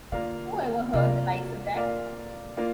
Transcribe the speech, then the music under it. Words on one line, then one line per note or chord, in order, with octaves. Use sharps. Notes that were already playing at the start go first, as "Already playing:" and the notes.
Who ever heard the likes of that?
D3 A#3 F4 A#4 D5 F5
C3 A#3 F4 A#4 D5 F5
A#3 F4 A#4 D5 F5
A#3 F4 A#4 D5 F5